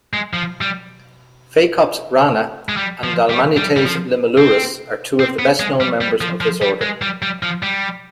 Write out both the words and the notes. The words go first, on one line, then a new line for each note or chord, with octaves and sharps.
"Phacops rana" and "Dalmanites limulurus" are two of the best-known members of this order.
G#3
F3
G3
G#3
G3
F3
G3
G3
G3
F3
C4
C4
B3
G#3
G3
G3
F3
F3
G3
G#3
G3
G3
F3
G3